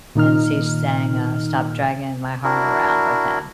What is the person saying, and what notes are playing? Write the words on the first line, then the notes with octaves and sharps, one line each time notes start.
and she sang, uh, "Stop Dragging My Heart Around" with him.
A#2 D#3 D#4 F6
D4 E4 F#4 A#4